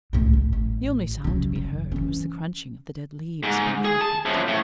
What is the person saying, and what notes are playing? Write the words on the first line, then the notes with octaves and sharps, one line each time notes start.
The only sound to be heard was the crunching of the dead leaves beneath our feet.
C#2 A2
A1
A1
C#3 F#3
F#1
E3 C#4
G#2
G#4
A5
F#2 F3
A2